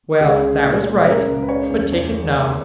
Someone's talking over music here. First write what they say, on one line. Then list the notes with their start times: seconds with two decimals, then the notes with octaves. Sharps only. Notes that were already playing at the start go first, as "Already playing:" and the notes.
Well, that was right, but take it now.
0.20 C#2 G#4
0.42 C#3
0.63 A#2
0.85 A#2
1.06 C#3 A#4
1.28 C#2
1.43 B4
1.49 C#3 C#5
1.70 E2
1.92 E2
2.14 G#3
2.35 D#2